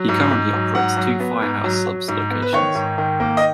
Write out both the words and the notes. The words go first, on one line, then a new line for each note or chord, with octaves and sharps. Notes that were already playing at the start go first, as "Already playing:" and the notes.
He currently operates two Firehouse Subs locations.
Already playing: F#3
G#2
G#2
F#3
G#2 F#5
F#3
B3
G#2
F#3
F#3
G#2
B3
B4
D#3 C#5
G#2
D#3
A#3
D#5